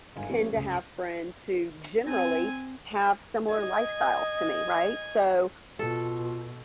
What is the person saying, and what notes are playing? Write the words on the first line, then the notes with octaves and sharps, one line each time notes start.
tend to have friends who generally have similar lifestyles to me, right? So,
G1 G#2 F5 G#5
F3 G3 G#3 A#3 B3 C#4
C#2 F#2
C4 G#5
D#5 G#5
B2 F4 A4